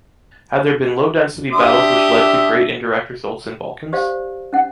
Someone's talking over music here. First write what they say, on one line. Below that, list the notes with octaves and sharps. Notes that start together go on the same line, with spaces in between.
Had there been low-density battles which lead to great indirect results in Balkans?
D4 G4 E5 C6 D#6
G4 C5 D5 F5
C#4 F#5